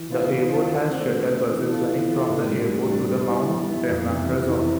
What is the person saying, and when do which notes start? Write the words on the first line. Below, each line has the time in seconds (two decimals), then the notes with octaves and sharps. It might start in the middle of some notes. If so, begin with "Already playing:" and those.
The airport has shuttle buses running from the airport to the Mont Tremblant Resort.
Already playing: E3
0.11 B3 F4 C5
0.30 E3
0.49 B3 F4 C5
0.70 D3
0.90 A3 C4
1.10 D3
1.29 A3 C4
1.50 E3
1.69 B3 F4 A4
1.89 E3
2.09 B3 F4 A4
2.29 A2
2.49 G3 D4
2.69 A2
2.89 G3 D4
3.09 G3
3.29 B3 E4
3.49 G3
3.69 B3 E4
3.89 F2
4.08 C3 E3 B3 E4
4.28 F2
4.49 C3 E3 B3 E4